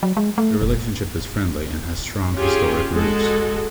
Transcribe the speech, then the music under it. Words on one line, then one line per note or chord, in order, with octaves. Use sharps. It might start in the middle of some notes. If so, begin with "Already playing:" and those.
The relationship is friendly and has strong historic roots.
F#3
G#3
A3
F1
C#4 F4 G4 G#4
G#3 F#4 A4